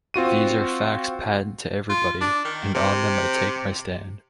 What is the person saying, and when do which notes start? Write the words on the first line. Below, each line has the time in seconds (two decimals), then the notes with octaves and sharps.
These are facts patent to everybody, and on them I take my stand.
0.14 C4 F4 F#4 D#7
1.89 F4
2.21 D4
2.45 D#3
2.74 C3